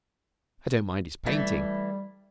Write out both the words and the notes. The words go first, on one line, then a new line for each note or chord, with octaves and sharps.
I don't mind his painting.
E3 G3 A3